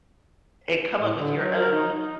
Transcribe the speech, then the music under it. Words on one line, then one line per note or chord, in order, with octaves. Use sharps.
and come up with your own
A2
D3
F#3
A#4
D#4
D#4